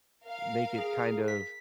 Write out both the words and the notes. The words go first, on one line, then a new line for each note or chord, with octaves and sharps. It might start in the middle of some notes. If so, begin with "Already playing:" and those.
make it kind of
A#4 F5
G#4
B6